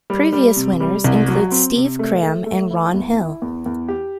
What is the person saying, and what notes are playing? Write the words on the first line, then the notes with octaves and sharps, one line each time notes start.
Previous winners include Steve Cram and Ron Hill.
G3
G3
C3
G3
C2
F#3
C4
C3
A3
A3
A3
E4
E2
E4
E2
E2
G4